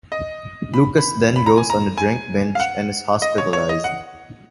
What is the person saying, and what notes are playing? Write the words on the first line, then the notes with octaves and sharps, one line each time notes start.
Lucas then goes on a drink binge and is hospitalised.
D#5
B5
B5
B5
A#5
G#5
A#5
G#5
F5
F#5
D#5
C#5
C#5
D#5
F#5